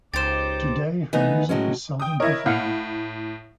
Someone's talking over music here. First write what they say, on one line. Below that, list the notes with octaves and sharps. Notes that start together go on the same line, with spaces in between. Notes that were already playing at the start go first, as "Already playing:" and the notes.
Today her music is seldom performed.
C#2 D#4 G4 C5 D6 A6 E7
E3 A3 B3 D#4
A2 F#3 G#3 C#4
G5 D#6
E4 A#4 C#5 D#5
A2 F5 F#5